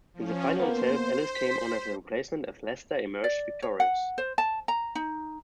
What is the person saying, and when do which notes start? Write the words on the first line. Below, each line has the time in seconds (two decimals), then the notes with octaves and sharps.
In the final itself Ellis came on as a replacement as Leicester emerged victorious.
0.14 F3 C#4
0.59 A#3 B3 C5
1.35 B6
3.24 D5
3.62 C#5
3.80 F#5
4.18 C5
4.38 A5
4.68 A#5
4.95 D#4